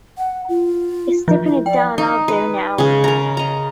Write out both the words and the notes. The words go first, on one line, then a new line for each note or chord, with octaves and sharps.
It's tipping it down out there now.
F#5
F4
F3
E4
D5 G5
D#4
B4
C#3 G#3
A#4 A#5
D#5 A#5